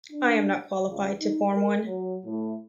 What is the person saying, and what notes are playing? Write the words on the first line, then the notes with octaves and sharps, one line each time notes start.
I am not qualified to form one.
D4
C#2
D#4
A#4
F#3
A2